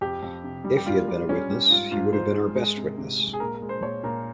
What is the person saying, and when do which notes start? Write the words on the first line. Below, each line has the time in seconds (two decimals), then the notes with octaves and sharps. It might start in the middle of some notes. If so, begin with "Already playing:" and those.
If he had been a witness, he would have been our best witness.
0.01 F2 G4
0.23 F2
0.44 C3
0.64 G3
0.77 G4
0.86 G3 F4
1.08 G3
1.29 G3 C#4
1.50 G3
1.70 G#2 F4
1.92 G#2 F4
2.13 G#2 C5
2.34 G#3
2.55 G#3
2.77 C3
2.98 C3
3.19 G#3
3.33 G#4
3.40 A#2 A#4
3.54 A#4
3.62 G#3
3.69 C5
3.83 A#2 C#5
4.03 A#2 A#4